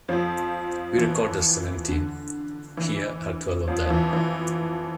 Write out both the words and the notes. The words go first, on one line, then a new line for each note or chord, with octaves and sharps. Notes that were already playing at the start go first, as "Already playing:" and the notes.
We recorded seventeen-here are twelve of them.
F2 F3
E3
D3
E3
F2 F3
F3
E3
E3